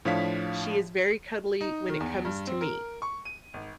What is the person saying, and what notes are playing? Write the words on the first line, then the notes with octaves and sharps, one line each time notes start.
She is very cuddly when it comes to me,
A2 F3 D4 C#5 F5 B6
D#4
D#3
E2
G2
C4
A#4
C#6
D#7
G#1